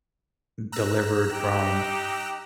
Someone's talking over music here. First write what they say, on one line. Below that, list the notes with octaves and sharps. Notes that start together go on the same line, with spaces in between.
delivered from,
A#5 E6 F#6
D#4 G4